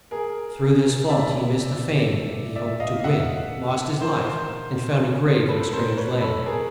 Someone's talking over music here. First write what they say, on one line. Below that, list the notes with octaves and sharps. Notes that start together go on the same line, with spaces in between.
Through this fault he missed the fame he hoped to win, lost his life, and found a grave in a strange land.
G#4 A#4
D5 E5
D5 E5
D#5 F5
E5 F#5
A#4 C5
A#4 C5
A4 B4
A#4 C5
B4 C#5
A4 B4
G#4 A#4